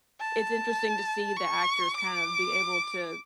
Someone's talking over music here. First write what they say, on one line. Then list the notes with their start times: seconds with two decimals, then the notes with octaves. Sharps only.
it's interesting to see the actors kind of be able to
0.20 A5
1.37 C#6
1.95 D6